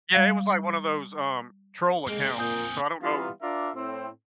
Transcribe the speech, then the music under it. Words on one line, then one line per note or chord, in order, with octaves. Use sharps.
Yeah, it was like one of those, um, troll accounts, so I don't know
G3 F5
G#3 A#3 C4
A#2 G#5 D#6 G6
E3 G3 B3 F4
D4 F4 A#4 D5 E5
A2 C4